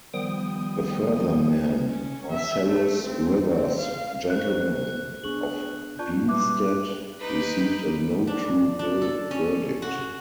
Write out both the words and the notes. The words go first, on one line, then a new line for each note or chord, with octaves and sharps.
A further man, Marcellus Rivers, gentleman, of Benstead, received a "no true bill" verdict.
D#3 F3 G3 B3 G5 D#6
C#4
E5
A3
C4
C4
F5
F#4 A#4 C5 C#5 F#6
B3 D4 G#4 C#6 F#7
F4 D5 A5 C#6 G6
G3 F#4 B4 E5 D6 F#6
D#4 G4 B4
D4
D4
A4
C#4
F#4